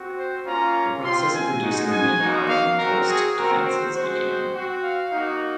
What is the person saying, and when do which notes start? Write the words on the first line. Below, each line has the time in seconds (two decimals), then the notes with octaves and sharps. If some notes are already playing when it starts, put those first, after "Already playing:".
A process of reducing the manpower in the coast defences began.
Already playing: C4 F#4
0.17 C5
0.45 A#3 C#4 F4 A#5
1.03 C4 F4 C6
1.33 G#5
1.61 G#3 D#4 F#4
1.90 G#5
2.20 A#3 D#4 F#4
2.49 F5
2.78 C4 F#4 A#4
3.07 G#4
3.36 C4 F#4 A#4
3.65 C5
3.94 G#3 C4 F#4 C5
4.53 C4 F#4
4.81 F5
5.11 A#3 D#4 F#4